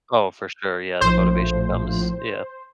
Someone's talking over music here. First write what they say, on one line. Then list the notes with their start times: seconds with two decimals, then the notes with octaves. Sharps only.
I oh, for sure, yeah. The motivation comes, yeah.
1.01 A#1 A2 F3 C5